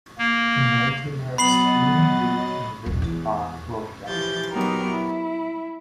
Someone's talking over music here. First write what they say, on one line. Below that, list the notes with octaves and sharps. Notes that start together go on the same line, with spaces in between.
In later years, King lived in Winter Park, Florida.
A#3
F#3 B3 D#5 B5 A6 C7 F#7
D#1 A#1
E2
E3 F3 G4 G6 A6
F#3 B3 D#4 F#4 G4 A#4
E4